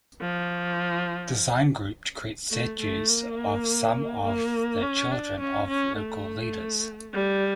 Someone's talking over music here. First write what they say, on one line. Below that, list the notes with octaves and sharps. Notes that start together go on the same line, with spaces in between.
Design Group to create statues of some of the children of local leaders.
F3
A3
A3
A#3
A#3
C#4
D4
C#4
C#4
A3
G3